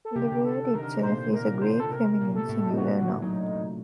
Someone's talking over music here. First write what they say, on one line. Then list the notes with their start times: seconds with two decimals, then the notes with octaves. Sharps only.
The word itself is a Greek feminine singular noun.
0.05 A4
0.16 C3 G4
0.24 D3
0.32 C3
0.45 A4
0.74 D#3 A#4
0.83 D3
0.94 C3
1.03 A#2 C5
1.32 A#2 A#4
1.44 A#2
1.53 C3
1.62 D3 C5
1.80 A4
1.91 C3 A#4
2.21 A#2
2.35 A4
2.49 A2
2.70 D#4
2.78 A#2 F#4
3.00 D3
3.22 F#3 D#4